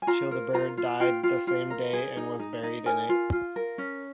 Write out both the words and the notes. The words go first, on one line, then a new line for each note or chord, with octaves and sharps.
Childebert died the same day and was buried in it.
G#5
F4 A#5
A#4
F4 A#5
F4
F4 G5
F4
F4
A#4
G#4
D#4
D#4
D#4
A#4 G#5
F4
F4
A#4
C#4